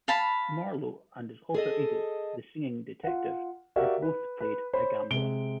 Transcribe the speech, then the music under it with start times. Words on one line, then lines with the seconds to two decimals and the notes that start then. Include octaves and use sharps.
Marlow and his alter-ego, the singing detective, are both played by Gambon.
0.08 F5 A5 B5
1.54 G#4 A4 D#5
3.03 F4 F#5
3.76 F#4 G4 A#4 D5 E5 F5
4.02 B4
4.40 B4
4.74 C5 C#5 B5
5.10 C3 G#3 D7 G7